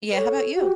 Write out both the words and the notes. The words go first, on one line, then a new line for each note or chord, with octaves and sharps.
Yeah, how 'bout you?
B4
A4 C#5
F#4 G4